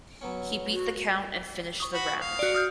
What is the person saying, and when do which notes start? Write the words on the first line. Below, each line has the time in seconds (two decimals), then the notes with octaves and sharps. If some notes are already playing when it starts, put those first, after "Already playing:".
He beat the count and finished the round.
0.21 F#3 B3 C#4
0.72 F#4
1.80 C#6 D#6
1.94 F#4 B5
2.21 F5
2.39 F#4 D5
2.55 D#6 F6 G6